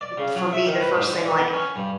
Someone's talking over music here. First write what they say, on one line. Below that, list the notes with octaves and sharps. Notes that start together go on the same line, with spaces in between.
u m for me the first thing, like,
D5
C#3
F#3
E5
D#3
B4
G#2
D3
E3
B3
C#4
G2